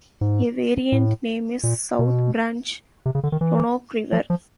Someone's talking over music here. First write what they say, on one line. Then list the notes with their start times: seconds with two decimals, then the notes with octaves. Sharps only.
A variant name is "South Branch Roanoke River".
0.21 G#2
0.92 A2
1.63 A#2
1.99 B2
3.06 C3
3.15 C#3
3.23 D3
3.32 D#3
3.41 E3
4.12 F3
4.30 F3